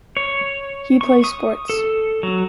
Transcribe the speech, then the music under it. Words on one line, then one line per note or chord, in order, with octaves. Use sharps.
He plays sports.
C#5
C#6
D#6
A4
F#3